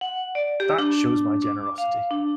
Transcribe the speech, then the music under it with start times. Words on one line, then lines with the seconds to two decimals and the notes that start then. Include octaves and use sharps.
That shows my generosity.
0.01 F#5
0.35 D5
0.60 G4
0.78 D4
1.42 D6
1.78 F5
2.11 D4